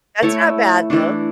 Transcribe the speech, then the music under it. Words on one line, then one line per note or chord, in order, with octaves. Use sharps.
That's not bad, though.
A3 E4 A4 C#5
E3 A3 D4